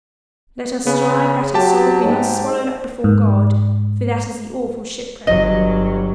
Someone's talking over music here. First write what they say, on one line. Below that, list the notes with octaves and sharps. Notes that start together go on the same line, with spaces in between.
Let us strive that our souls be not swallowed up before God, for that is the awful shipwreck.
C#3 B3
F#3 G4 A5
G#2
G#2
G1 F#3 D#5